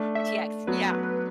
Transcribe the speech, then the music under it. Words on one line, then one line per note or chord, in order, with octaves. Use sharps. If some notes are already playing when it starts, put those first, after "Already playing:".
RTX, yeah.
Already playing: A3 D4
E5
F#3 B3 B4